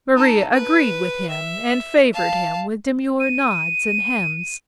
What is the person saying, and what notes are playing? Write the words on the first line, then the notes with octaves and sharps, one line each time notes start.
Maria agreed with him and favoured him with demure nods and hems.
D#4 A4
B4
E5
F5 A5
D#7